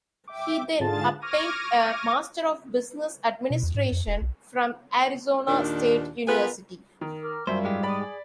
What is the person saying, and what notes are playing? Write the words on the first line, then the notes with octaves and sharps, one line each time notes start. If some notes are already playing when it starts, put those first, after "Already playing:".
He then obtained a Master of Business Administration from Arizona State University.
E5 G5 D6
G#2 D3 F4 G#4 A5 A6
C#6 D6 F6 G#6 A#6 D#7
B2
E2
G#2
F2
D#1
B1
D#2 A#2 D#3 D4
B3 F4 G#4 A#4 B4
D#3
A#4 D6 F6
F#2 G3 F4 A#4 C5 E5
G#2 G#3 G4
D5 B5 D6 D#6
G#4